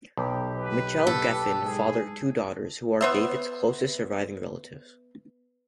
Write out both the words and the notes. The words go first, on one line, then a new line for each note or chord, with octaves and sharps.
Mitchell Geffen fathered two daughters, who are David's closest surviving relatives.
B1 G4
B4
A4
G#2 G#4
B3 C5 E5